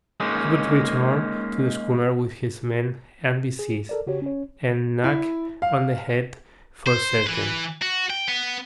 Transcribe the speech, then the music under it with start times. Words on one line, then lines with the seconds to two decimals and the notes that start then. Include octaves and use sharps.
He would return to the schooner with his men and be seized, and knocked on the head for certain.
0.20 G#3 A#3 C#4 D#4 G#4
3.59 G#4
3.89 A4 A#4 D5
4.07 C#3 F#4 G4 C#5
4.22 C#4 C#5
5.04 E4
5.62 F5
6.87 C5
7.27 E3 B4
7.82 F#4
8.10 G5
8.28 B3